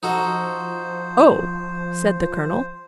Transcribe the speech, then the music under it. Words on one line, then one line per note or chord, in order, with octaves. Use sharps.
"Oh!" said the colonel.
F3 D#4 F#4 A4 C5